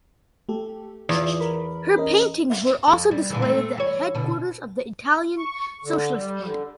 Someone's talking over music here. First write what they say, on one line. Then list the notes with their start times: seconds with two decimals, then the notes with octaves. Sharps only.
Her paintings were also displayed at the headquarters of the Italian Socialist Party.
0.49 A3 G4 A4
1.09 E2 F4 D5
1.40 A#4 B5
1.96 C#4 A#4 D#5
2.88 F2
3.11 G3
3.30 A#2 D3 E3
3.42 A3 C4
3.78 E3 C#5
4.15 B2 D3
5.38 C#6
5.84 D3
6.18 G3
6.44 D3